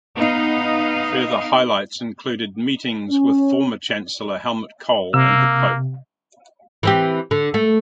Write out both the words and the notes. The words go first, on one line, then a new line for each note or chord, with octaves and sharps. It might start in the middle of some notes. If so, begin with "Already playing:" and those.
Further highlights included meetings with former Chancellor Helmut Kohl and the pope.
B3 D#4 D#5 F5
C#4
C3 A#3 E6
E3 C4 G4
D3
A3